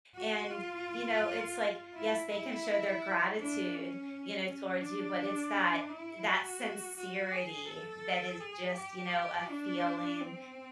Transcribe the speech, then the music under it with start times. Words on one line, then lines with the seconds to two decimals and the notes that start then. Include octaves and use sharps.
and, you know, it's like, yes, they can show their gratitude, you know, towards you, but it's that that sincerity that is just, you know, a feeling.
0.15 F#4
0.51 F4
1.94 E4
2.31 E4
3.39 D4
3.74 C#4
4.46 C#4
4.81 D4
5.89 E4
6.25 F#4
6.97 F#4
7.33 G#4
7.69 A4
8.40 G#4
8.77 G4
9.49 D4
10.20 C4